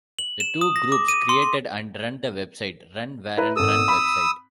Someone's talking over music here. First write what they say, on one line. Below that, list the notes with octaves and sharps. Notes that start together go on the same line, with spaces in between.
The two groups created and run the website, Run Warren Run website.
F#7
E7
D#6
A#6
D6
D#7
C6
C6
E4 B4 A#5
G#1 A4 D#6 E6
B5